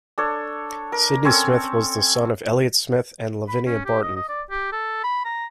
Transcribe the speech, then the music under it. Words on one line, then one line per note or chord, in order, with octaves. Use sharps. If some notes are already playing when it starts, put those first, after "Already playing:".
Sidney Smith was the son of Elliot Smith and Lavinia Barton.
D4 A4 C#5
A#4
C4 C#4 A4 C#5
B5
C#4
G4
D#5
D#5
D5
G4
A4
B5
A#5